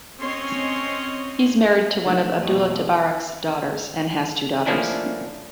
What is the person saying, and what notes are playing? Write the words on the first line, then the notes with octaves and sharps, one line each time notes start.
He is married to one of Abdullah Tabarak's daughters, and has two daughters.
C4 C#4 C#5 D#5 C6
C3 F3 A3 D4 D#4 A#4 F#5
F2 B2 F3 A#3 C4 G4 D#5 C#6
F3 A3 A#3 C#4 D4 E4